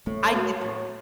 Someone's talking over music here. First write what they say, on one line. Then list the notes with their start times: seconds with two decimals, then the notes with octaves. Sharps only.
I didn't
0.06 A2 A3
0.33 F#3 B3
0.61 A2